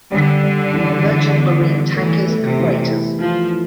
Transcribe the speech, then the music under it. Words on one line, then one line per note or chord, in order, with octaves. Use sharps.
Merchant Marine tankers and freighters.
D3 G3
G3
E3
E3
B3
G3
E3 A3
A3
C3
E3
E4
F3 E4
E4